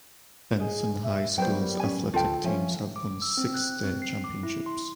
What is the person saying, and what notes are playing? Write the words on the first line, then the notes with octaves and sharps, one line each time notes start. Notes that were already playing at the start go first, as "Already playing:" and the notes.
Benson High School's athletic teams have won six state championships.
G#4 D#5
E5
F#3 G3 B3 A#4 C5 G5
C#4 G#5
D2 F4 A4 G5 A5
F3 C#4 E5 G#5
D6
E6
C4
F#6
C4
C7
D6
E4
C6